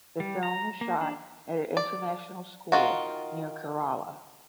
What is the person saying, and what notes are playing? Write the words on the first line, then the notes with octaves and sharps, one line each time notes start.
The film was shot at an international school near Kerala.
G3
A#5
A#3
D4
D5
D#3 F4 F#4